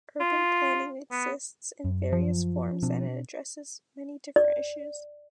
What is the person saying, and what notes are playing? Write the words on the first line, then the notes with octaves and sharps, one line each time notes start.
Urban planning exists in various forms and it addresses many different issues.
F4
B3
F#2
F3
B2 C4 D4
D5